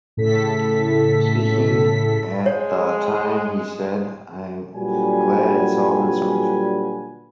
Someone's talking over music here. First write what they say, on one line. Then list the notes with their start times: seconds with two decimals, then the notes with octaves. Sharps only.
Speaking at the time he said I'm glad it's all been sorted.
0.17 A2 C#3 A4 B6
2.46 G#3 C#5
4.75 A#2 D3 F#3 G3 B4 G#5